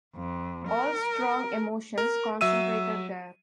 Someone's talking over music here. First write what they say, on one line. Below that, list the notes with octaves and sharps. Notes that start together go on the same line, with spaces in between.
All strong emotions concentrated there.
F2
A#4
A#4
F#3 E5 E6 D#7